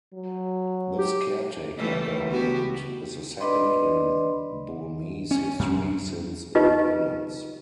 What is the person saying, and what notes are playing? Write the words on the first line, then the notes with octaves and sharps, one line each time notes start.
This caretaker government is the second in Burmese history since independence.
F#3
G4
E3 G3 A3
B3 F#4 G4
D4 B4 D5 D#5 B5 C6
C#4
F#2
D#4 F4 G4 B4 D#5